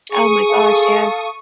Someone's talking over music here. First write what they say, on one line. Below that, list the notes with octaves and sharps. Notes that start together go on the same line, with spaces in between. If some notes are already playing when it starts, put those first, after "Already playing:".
Oh, my gosh, yeah.
G#4 C#6 D#6
A4 F5 A5